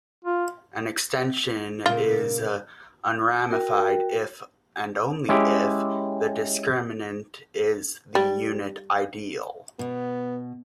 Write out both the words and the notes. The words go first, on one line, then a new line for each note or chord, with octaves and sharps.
An extension is unramified if, and only if, the discriminant is the unit ideal.
F4
A#2 C#3 A#3 F4
F#4 A#4 G5
G#3 C#4 E4 G4
G3
B2 B3